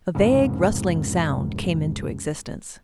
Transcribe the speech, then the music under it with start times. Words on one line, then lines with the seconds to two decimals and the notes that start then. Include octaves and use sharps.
A vague rustling sound came into existence.
0.15 C2 F2 G#2 C#3